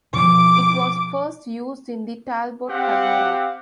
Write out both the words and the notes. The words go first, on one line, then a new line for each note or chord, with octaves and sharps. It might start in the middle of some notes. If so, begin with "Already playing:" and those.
It was first used in the Talbot Tagora.
B2 F3 D6
C4 G4 F5 F#5